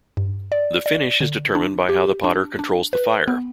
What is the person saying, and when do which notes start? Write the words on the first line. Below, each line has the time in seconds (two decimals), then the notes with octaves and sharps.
The finish is determined by how the potter controls the fire.
0.17 G2
0.52 D5
0.86 D5
1.20 D3
1.55 D4
1.89 G4
2.24 D4
2.59 D4
2.93 B4
3.28 B3